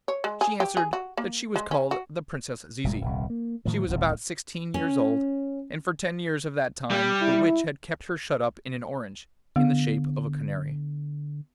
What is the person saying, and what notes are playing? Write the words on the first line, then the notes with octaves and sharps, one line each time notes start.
She answered that she was called the Princess Zizi; she was about sixteen years old, and for ten years of that time the witch had kept her shut up in an orange, in the shape of a canary.
C#5
G#3
G#4
G4
G#4
F#4
A#3
G#3
C#4
F#4
F1 A#2 G3 G#3
D#1 C2
A#3
A2 D#3 F3
D1 C2 A2
C#4
G3
E4
D3 B3